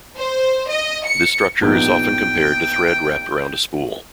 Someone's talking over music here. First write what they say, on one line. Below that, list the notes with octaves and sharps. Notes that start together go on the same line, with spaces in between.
This structure is often compared to thread wrapped around a spool.
C5
D#5
C#7
A#1 B3 D#4 G5